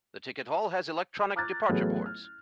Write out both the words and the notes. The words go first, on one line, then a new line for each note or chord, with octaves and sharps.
The ticket hall has electronic departure boards.
A#5 D6 F6 F#6 G#6 A6
A1 F#3 A3 B3 G#4
F6